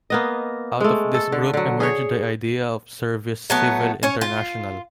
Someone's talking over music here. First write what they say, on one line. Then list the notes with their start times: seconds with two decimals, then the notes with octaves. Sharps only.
Out of this group emerged the idea of Service Civil International.
0.10 A#3 B3 D#5
0.80 G#3 A3
1.14 A4
1.32 D3
1.54 D3 F#3
1.80 G#4 C#5
3.50 F#3 A3 B3
4.03 C#4 C#5
4.21 F4